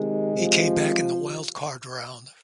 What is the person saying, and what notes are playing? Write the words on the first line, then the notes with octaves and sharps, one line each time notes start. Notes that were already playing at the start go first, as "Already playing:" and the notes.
He came back in the wildcard round.
Already playing: C3 D#3 G#3
C3 F3